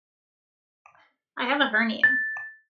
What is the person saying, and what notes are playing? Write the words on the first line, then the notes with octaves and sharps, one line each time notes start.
I have a hernia.
A6